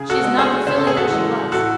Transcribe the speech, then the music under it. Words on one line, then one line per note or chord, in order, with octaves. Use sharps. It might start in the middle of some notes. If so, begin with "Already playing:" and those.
She is not the filly that she was.
Already playing: C#3 G#4
F#4 A4
G#3
G#4 C5
C#3 C5
A4
G#4
F#4 A4
E3 G#3
A2 F#4 A4